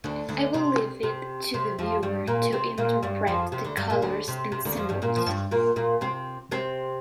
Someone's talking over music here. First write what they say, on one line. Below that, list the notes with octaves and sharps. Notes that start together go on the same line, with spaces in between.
I will leave it to the viewer to interpret the colors and symbols.
D2 D3
D2 D3
C3
C3
C3
F2 F3
G2 G3
A#2 A#3
C3 C4
A#2 A#3
G2 G3
F2 F3
C3
D2 D3
G2 G3
A#2 A#3
D2 D3
C3
C3
D2 D3
F2 F3
G2 G3
A#2 A#3
F3
G2 G3
A#2 A#3
A#2 A#3
C3 C4
C3 C4